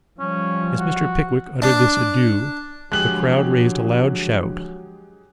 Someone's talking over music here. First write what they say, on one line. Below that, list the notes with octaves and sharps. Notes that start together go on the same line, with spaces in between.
As Mr. Pickwick uttered this adieu, the crowd raised a loud shout.
F3 G3 C#4
F#4
D4
D3 F3 F#3 G#3 G4 G#4 F#6 F#7